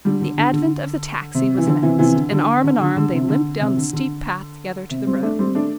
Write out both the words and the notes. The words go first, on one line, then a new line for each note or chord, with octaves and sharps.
The advent of the taxi was announced, and arm in arm they limped down the steep path together to the road.
D3 G3
D3
D3
D3
C3
E3
D3
C3 E3
C3 E3
D3
D3
D3
D3
D3
C3
D3
C3
D3
D3
C3
G3 C4
A3 D4
G3 C4
A3 D4